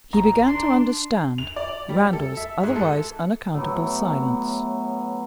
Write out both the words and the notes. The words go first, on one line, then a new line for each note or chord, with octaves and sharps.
He began to understand Randal's otherwise unaccountable silence.
A1 A#5
D4 C6
F7
D5
G3
A4
E5
G#2
A4
A2 F#3 B3